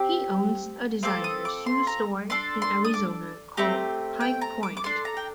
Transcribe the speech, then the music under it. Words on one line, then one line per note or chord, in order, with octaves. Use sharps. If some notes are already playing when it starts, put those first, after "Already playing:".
He owns a designer shoe store in Arizona called High Point.
Already playing: C4 G4 D6
C4 F4 A4 D6
D#6
D6
C6
A#5
D4 A4 C6
C6
D#6
D6
A3 C4 G4 A#5
G5
A#5
D6
D6
D4 A4 C6
A#5
G5